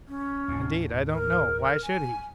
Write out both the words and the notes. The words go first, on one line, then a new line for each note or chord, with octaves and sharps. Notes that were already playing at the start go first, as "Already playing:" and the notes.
"Indeed I don't know.--Why should he?"
C#4
D#2 A2
A#4
G#5